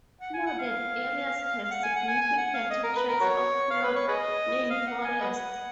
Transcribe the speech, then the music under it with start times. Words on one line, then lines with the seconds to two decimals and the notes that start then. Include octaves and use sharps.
Flooded areas have significant tracts of floodplain forest.
0.22 F#5
0.34 G#5
0.46 F#5
0.59 F5
1.64 F5
1.72 F#5
1.84 G#5
1.96 F#5
2.08 G#5
2.21 G#5
2.38 F#5
2.54 F5
2.71 D#5
2.84 A#4
2.96 B4
3.09 A#4
3.21 F#4 A#4 C#5
3.71 F5
3.84 B4
3.96 C#5
4.08 G#4 B4 D#5
4.71 F5
4.87 F#5
5.04 G#5
5.20 B4 D#5 F#5